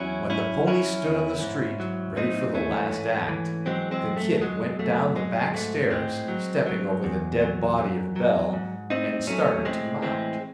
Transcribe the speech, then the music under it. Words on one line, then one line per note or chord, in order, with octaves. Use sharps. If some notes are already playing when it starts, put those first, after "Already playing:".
When the pony stood on the street, ready for the last act, the "Kid" went down the back stairs, stepping over the dead body of Bell, and started to mount.
Already playing: E2 F#3 C#4 E4
F#2 C#4 E4
F#3 C#4 E4
E2
G#2
F#3
A2 C4 D#4
E3 A3 C#4
G#2
E3
F#3 G#3 C4
G#3 C4
F#2
A3
F#3 G#3
F#2 A3
F#3 G#3
G#2 A3
A2 G#3 C4
F#3
F#3
E2
F#3
F#2
F#3
G#2
A2 C4 D#4
F#3 A3 C#4
A2 G#3 C4
E3 G#3 C4